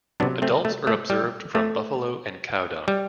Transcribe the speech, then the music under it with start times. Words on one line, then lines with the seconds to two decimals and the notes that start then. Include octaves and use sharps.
Adults are observed from buffalo and cow dung.
0.20 C3 F#3 B3 D4
0.42 A3 C4
0.65 A3
0.87 A3
1.10 G3
1.55 A3
2.88 G3